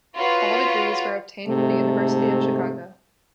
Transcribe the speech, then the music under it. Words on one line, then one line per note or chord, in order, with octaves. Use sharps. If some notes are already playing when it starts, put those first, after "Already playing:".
All degrees were obtained from the University of Chicago.
F4 F#4 B4 C#5
G#2 C3 A3